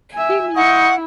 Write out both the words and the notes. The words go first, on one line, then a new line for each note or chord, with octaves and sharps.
He need
E5 G#5
E4 C5 D#5 F#5 C#6